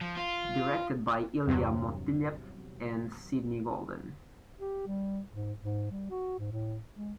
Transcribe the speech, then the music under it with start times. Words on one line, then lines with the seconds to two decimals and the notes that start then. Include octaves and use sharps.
Directed by Ilya Motyleff and Sidney Goldin.
0.01 F3
0.17 F4
1.47 E2 G2 C3 F#3
4.60 G4
4.87 G3
5.32 G#2
5.62 G#2
5.92 G3
6.10 F#4
6.39 G#2
6.51 A2
6.96 G#3